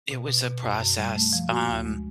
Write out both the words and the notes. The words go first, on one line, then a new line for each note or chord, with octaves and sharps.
It was a process, um
B2
B2
B2
F#2
F#2
G3
A3
F3
F#4
D2
G#3